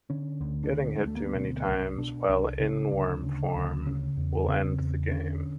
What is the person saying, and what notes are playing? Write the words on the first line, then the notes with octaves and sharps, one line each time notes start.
Getting hit too many times while in worm form will end the game.
D3 C#4
D2
D4
D3 C#4
G#3
D2 A3
A#3
B3
B2 C4
C2 C#4
B2 D4
C2 D4
C#3 C#4
D2 D4
C#3
D2
C#3 C#4
E2
C#3 C4
E2
D3 C#4